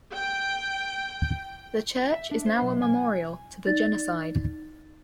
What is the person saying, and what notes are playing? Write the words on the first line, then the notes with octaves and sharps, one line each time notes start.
The church is now a memorial to the genocide.
G5
E5
D4
C5
B1
G#5
D#4 D5 A6